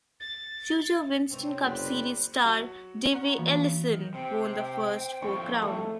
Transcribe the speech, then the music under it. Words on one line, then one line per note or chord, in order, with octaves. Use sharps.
Future Winston Cup Series star Davey Allison won the first Four Crown.
A6
C3 C4 D#4 C#5
F#1 B4 C5 D5
F#3 F#4
C4 F#5 A#5
E3 A#3
D#3
C3 C5 G5
F2 A2 C#6
A3